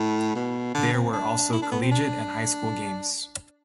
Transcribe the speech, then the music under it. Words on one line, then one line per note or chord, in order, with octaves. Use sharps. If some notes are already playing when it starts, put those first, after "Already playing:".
There were also collegiate and high school games.
Already playing: A2
B2
D3
C4
D4
E4
D4
B3
C4
D4